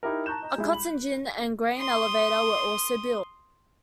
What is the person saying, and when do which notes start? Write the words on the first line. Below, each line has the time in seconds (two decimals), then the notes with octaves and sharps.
A cotton gin and a grain elevator were also built.
0.03 D#4 E4 G4 A#4
0.26 A5 A#5 C#6 F#6 G6 E7
0.42 D#5 A#5
0.56 G3 G#3 E4
0.73 B5 F#7
1.78 C6 D#6